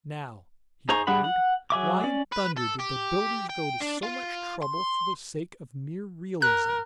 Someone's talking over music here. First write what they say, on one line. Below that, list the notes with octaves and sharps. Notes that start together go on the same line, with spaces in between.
"Now," he wondered, "why in thunder did the builders go to so much trouble for the sake of mere realism?"
D#4 G#4 C5 A#5 C#6
G3 D4 G#4 F#5 B5
F#5
F#3 G#4 E5 D6
C#4 D5
B4
A4
G4
G5
D4
F4
C6
A#4 F#6